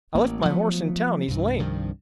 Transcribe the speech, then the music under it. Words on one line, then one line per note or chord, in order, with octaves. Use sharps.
"I left my horse in town--he's lame."
A1 A#3
F3 F#3 A3 B3
C2 G2
C2 G2 D#3 F3